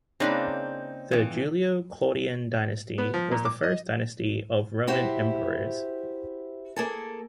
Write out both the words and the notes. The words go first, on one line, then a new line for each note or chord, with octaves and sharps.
The Julio-Claudian dynasty was the first dynasty of Roman emperors.
C#3 A#3 C4 D4 D#4 F4 B4
F2 E3
B3
F3
A#2
D6
D#5
E4 F#4 G4 C5
A#3 G#4 A4